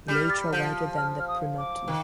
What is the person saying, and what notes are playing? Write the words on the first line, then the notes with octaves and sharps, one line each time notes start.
Elytra wider than the pronotum.
G3 G6
A6
F3 G6
F6
F6
D#6
D6
D#3